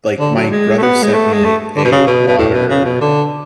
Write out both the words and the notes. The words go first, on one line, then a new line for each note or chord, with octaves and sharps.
like, my brother sent me a water,
D3
F#3
G#3
A3
B3
G#3
A3
G#3
A3
D3
B2
C#3
B2
B2
A2
B2
C#3
B2
D3